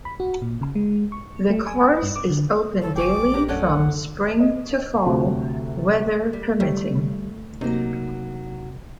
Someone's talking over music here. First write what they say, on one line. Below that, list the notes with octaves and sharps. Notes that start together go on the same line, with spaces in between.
The course is open daily from spring to fall, weather permitting.
B5
F#4
A#2
C#3
G#3
C#6
A3
G#5
G2
D6
D3
E3 A4 C#5
G1 G5 G#5 C#6 D6
A#1
D4 G4 A#4
F#2 A3 C#4 A4 D5 F#5
D#5
D2 C3 F#4
G3
G3 A3
C3 F#3 A#3 D#4